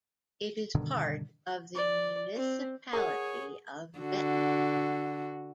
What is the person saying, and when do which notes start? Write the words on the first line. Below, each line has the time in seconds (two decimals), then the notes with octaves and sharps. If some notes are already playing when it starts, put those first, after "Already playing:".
It is part of the municipality of Bettingen.
0.75 G2 B2 D3 D#3
1.75 D5
2.35 C4
2.93 G#4 A#4 C#5 F#5 D#6
3.99 D3 F#4